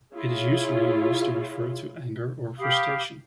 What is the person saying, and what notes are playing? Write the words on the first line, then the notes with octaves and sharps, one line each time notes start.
It is usually used to refer to anger or frustration.
E4 F4 G#4 C#5
G4 F5 B5 D#6